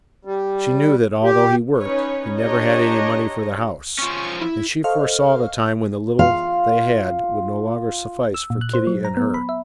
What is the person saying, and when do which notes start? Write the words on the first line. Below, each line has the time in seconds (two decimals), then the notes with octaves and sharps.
She knew that although he worked he never had any money for the house, and she foresaw the time when the little they had would no longer suffice for Kitty and her.
0.25 G3
1.24 G4
1.80 C#4 D#4 B4 C#5
2.37 D4 G4 C#5 D#5 A#5
3.98 F3 C#4 C#6
4.23 C#6
4.41 E4
4.84 A4 C5 D#5 F5 C#6 F6
6.19 F4 F5
8.34 E6
8.50 A#2
8.61 F#6
8.74 C5
8.87 F#3
9.05 A#5
9.17 B3
9.34 B5
9.49 E5